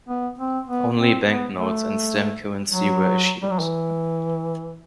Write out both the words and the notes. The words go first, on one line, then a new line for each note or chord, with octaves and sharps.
Only banknotes and stamp currency were issued.
B3
C4
B3
C4
B3
A3
F#3
G3
F#3
E3